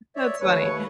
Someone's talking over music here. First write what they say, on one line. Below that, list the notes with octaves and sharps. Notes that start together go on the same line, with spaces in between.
That's funny.
C#5 D5 E5
D#2 A3 B4 C#5